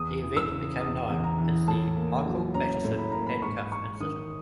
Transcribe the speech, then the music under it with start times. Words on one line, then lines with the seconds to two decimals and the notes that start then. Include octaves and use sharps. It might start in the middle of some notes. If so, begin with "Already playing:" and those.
The event became known as the "Michael Matteson Handcuff Incident".
Already playing: E2 D#6
0.22 E3
0.37 E6
0.51 C#3
0.80 E2 D#6
1.10 E2
1.24 A#5
1.38 E3
1.68 A2 A5
1.97 A#3
2.26 F#3
2.54 C#4 A#5
2.85 A2
2.98 B5
3.12 A#3 A#5
3.27 B5
3.42 G#2 C#6
3.72 G#3 C#6
4.00 D#3 D#6